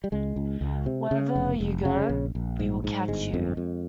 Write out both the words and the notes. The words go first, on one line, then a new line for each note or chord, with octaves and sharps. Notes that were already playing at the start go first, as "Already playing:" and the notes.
Wherever you go we will catch you.
G3
C#2 G#3
C#2
C#2
C3
C#3
F1
F1
C#3
A#1
A#1
G#2
G#2
G1 G#3
F2
F2